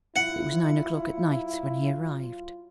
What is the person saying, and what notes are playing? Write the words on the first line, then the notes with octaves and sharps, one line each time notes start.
It was nine o'clock at night when he arrived.
F#3 E4 F4 F#5